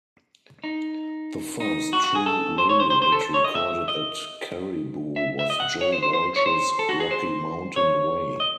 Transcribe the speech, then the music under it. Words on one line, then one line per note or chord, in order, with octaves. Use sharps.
The first true radio hit recorded at Caribou was Joe Walsh's "Rocky Mountain Way".
D#4
D#4
F#4
F#4
G#4
A4
C5
C#5
C5
C5
C5
A4
C#5
D#5
E5
D#5
E5
E5
D#5
F#5
C#5
C5
C5
C5
C#5
C5
A4
F#4
G#4
C5
C#5
D#5